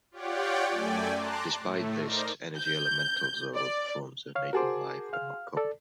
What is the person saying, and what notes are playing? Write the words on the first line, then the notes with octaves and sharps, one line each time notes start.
Despite this, energy elementals or other forms of native life are not common.
F4 G4 C#5 D5 F#5 G5
F#2 A3 D5 G5 G#5
A5 A#5 C6 D6 F#6
A2 A3
D#4 A#4 C5 D5 A#5
G6
D5
C#5 F5 F6
F#4 G#4 A#4 C5 A5 D6
F5 F6
A4 D5 A5